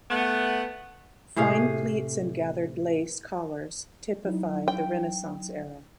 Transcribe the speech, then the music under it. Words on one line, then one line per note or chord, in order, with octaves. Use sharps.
Fine pleats and gathered lace collars typify the Renaissance era.
A3 B3
A2 C3 G#4 F5
F#3 D#4 E4
G5